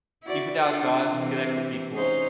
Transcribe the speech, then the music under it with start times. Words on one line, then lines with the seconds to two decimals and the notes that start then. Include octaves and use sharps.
you can now con connect with people
0.23 E4 F#4 D5
0.59 D4 F4 A4
1.10 C3 E3 C4
1.94 C#4 D#4 C5